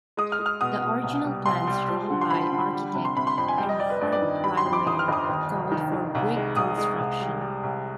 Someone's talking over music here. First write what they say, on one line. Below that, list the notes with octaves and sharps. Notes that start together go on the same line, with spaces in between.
The original plans drawn by architect Erhard Brielmaier called for brick construction.
G#3 D#6
F6
G#3
F6
B2 D#6
B2
C2
G3
C2 C6
G3
F3
D3
C6
F3 B5
D3
G3
C3
C6
C3 B5
C6
F2 B5
G#5
G3 G5
D#5
G3 D5
B4
G2 D5
D5
D#3
G3 B5
C6
F2
D6
G1 D#6
F6
G1 D#6
D#2
F1
D#3
D#3
C2
G#3
C2 D#6
G#3
C2
G3
G3
C2